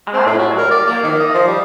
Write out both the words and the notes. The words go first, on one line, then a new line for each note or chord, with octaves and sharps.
I don't remember this
C4
A2
F#4
A#4
D5
A#3
D#3
D#5
F3
G3